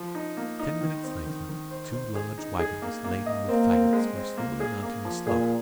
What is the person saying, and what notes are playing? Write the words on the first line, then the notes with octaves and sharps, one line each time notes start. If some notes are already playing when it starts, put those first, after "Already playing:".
Ten minutes later two large wagons laden with fagots were slowly mounting the slope.
Already playing: F3
D#4
A#3
D#4
D#3
C4
D#3
D#3
C5
C5
G#4
D#4
G#4
A#3
A#3
D#5
A#3 C4
C4
G#3
C4
A#3
G#4
A#3
F3
A#2 G#4